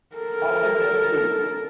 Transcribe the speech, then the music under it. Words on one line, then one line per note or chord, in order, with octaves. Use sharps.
How will that suit?
A4 A#4